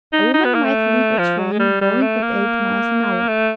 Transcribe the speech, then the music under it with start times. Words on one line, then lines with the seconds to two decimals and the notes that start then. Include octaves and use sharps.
A woman might leave a train going at eight miles an hour.
0.13 D#4
0.34 D#4
0.44 B3
0.54 A#3
0.64 A3
1.18 F3
1.38 F#3
1.52 G#3
1.59 G3
1.81 G3
2.02 A3
2.22 A#3
3.28 A3